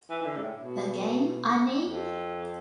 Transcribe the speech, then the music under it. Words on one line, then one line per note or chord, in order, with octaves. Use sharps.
The game, I mean?
E3
E3
D3
G#2
A2
B2
F2